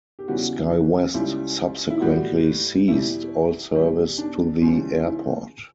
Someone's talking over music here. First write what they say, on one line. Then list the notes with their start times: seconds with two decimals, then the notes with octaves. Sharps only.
SkyWest subsequently ceased all service to the airport.
0.19 G4
0.28 E2 C#3 E3 G3 F#4
1.14 C#2 C#3 G3 E4
1.90 E4
2.01 A2 G3 F#4
2.88 E2 B2 G3 E4
3.75 E2 B2 G3
4.18 D4
4.62 C#2 C#3 E3 G3
5.06 E4